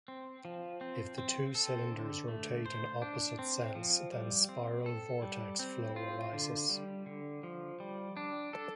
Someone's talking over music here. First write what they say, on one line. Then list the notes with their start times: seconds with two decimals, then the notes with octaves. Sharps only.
If the two cylinders rotate in opposite sense then spiral vortex flow arises.
0.08 C4
0.45 F3
0.81 C4
1.18 C4
1.55 A4
1.92 D3
2.28 A3
2.66 C5
3.02 D4
3.39 C4
3.75 F3
4.12 G3
4.49 C4
4.86 A4
5.22 G3
5.59 C4
5.96 F4
6.33 D3
6.70 G3
7.06 D3
7.43 F3
7.80 G3
8.17 D4
8.53 A4